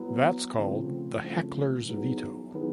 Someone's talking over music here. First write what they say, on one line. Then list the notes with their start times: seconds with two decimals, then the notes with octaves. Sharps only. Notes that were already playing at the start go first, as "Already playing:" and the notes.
That's called the 'heckler's veto'.
Already playing: F#3 B3 E4
0.59 C#3 F3 A3 C4
1.24 C#3 F3 A3 C4
1.88 D#3 F#3 B3 E4 G#4
2.54 D#3 F#3 B3 E4 G#4